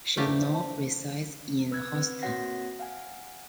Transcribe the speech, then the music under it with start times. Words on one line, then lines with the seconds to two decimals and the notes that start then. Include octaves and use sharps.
She now resides in Houston.
0.17 D3 E3 A3 A#3 C#4 G4 C5
0.54 A5
1.71 B4 E6 F#6 G#6
1.95 C4 B4
2.22 A#3 C4 F#4 C#5 F#5 A#6
2.79 F5 F#5 G#5